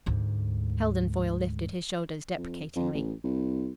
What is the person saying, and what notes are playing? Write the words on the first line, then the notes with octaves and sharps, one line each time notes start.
Heldon Foyle lifted his shoulders deprecatingly.
D2 G#2
F2
F2
A1
C2